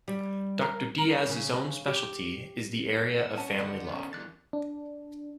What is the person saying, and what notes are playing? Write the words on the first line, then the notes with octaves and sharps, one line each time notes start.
Doctor Dias' own specialty is the area of family law.
G3
A#4
A#4
C#3
G4
A2 F#5
C#4 A5
D3 D#3
B3 C#4
E2 G3 F#6 A6
D4